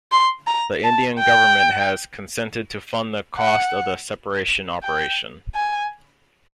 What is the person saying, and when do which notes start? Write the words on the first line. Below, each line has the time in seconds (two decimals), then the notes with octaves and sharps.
The Indian government has consented to fund the cost of the separation operation.
0.12 C6
0.47 A#5
0.84 A5
1.20 G5
3.38 F#5
4.83 G5
5.55 G#5